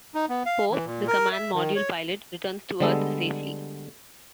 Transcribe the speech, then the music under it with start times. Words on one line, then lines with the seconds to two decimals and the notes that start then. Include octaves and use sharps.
Pope, the command module pilot, returns to Earth safely.
0.15 D#4
0.29 B3
0.46 F5
0.71 E3
0.86 A#2
1.07 A#4
1.32 E5
1.54 D#3
1.76 C#5
2.80 D3 G3 G#3 B3 A4